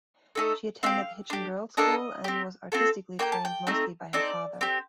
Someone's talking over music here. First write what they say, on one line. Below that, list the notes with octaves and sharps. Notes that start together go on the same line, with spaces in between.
She attended Hitchin Girls School and was artistically trained mostly by her father.
A3 D#4 A4
C4 D#4 G4 F5
D4 G4
A#3 D4 F4 A4 D#5
C4 G4
C4 F4 A4
A#3 D#4 G4 G5
A5
G5
A3 C4 D#4
C4 D#4 A4 D5
C4 G4